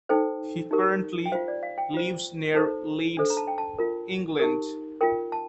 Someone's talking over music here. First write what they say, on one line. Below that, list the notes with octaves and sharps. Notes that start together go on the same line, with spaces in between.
He currently lives near Leeds, England.
D#4 A4 C5 G5
D#4 G4 A#4
G5
F4 C5 F5
D5
F5
G5
F4 C5
D#4 A4 C5
D4 A4 C5
A#5
A5
G5
A5
F4 A#4
D#4 G4 A#4
F4 A#4 G5
A5